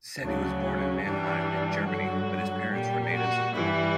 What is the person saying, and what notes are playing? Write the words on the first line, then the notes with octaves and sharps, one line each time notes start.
Cetti was born in Mannheim in Germany, but his parents were natives of Como.
D2 C#3 F#3 D4
C#4
G2 E3 G3 D4
G2 D3 F#3 F#4
A#2 G3 G4
F#4
G2 E3 G3 E4